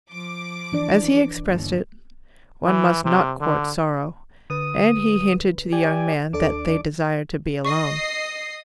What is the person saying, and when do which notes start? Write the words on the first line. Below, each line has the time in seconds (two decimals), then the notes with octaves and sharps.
As he expressed it, "one must not court sorrow," and he hinted to the young man that they desired to be alone.
0.11 F3 D6
0.72 E3 D4 D5
1.43 G1 D#2
2.66 E3
3.04 C3
3.40 D3
4.50 D3 B4 D#6
5.72 G4 D5 G#5
6.33 D#2 D4 A4 D5 D6
7.65 D#5 C#6 D#6 C7